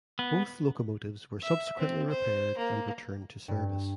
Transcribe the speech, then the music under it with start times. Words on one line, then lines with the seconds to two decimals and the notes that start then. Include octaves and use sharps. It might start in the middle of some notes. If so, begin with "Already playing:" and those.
Both locomotives were subsequently repaired and returned to service.
0.19 B3
1.42 E5
1.79 C4
2.10 C5
2.58 A#3
3.48 G2